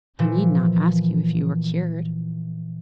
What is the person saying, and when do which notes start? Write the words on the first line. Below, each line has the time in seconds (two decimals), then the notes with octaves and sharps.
I need not ask you if you were cured.
0.19 A#2 E3 F3